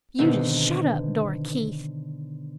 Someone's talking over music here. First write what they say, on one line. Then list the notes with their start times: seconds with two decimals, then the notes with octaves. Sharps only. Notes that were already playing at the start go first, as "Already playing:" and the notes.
"You just shut up, Dora Keith."
0.19 B2 D3 D#3 B3 C4 D#4